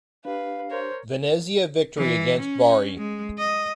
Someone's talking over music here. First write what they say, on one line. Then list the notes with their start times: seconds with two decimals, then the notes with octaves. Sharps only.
Venezia victory against Bari.
0.25 D4 G4 B4 F5
0.71 A#4 C5 C#5
1.97 E3
2.39 C#4
2.97 G#3
3.38 D#5